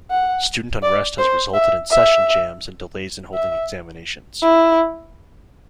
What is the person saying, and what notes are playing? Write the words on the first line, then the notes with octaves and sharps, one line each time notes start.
Student unrest has resulted in session jams and delays in holding examinations.
F#5
D5
C5
E5
E5
E5
E4